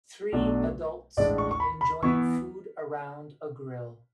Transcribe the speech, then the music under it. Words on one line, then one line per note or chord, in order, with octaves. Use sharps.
Three adults enjoying food around a grill.
B1 B2 F#3 A3 D4
A1 A2 G#3 D4 D5
C#6
C#6
B5
B5
E3 B3 E4 C#6